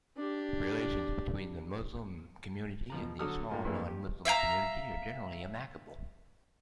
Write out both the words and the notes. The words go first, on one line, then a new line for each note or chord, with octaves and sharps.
Relations between the Muslim community and the small non-Muslim community are generally amicable.
D4 G4
B2 F3 A#5
D3 F#3 A4 D#6 F6
A2 A#3 F4
G2 E3 G#3 A#3
G4
E5 F5 G5 A#5